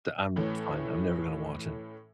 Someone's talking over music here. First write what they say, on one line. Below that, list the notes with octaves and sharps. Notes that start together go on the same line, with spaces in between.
D I'm fine, I'm never gonna watch it.
A2 E3 A3 C#4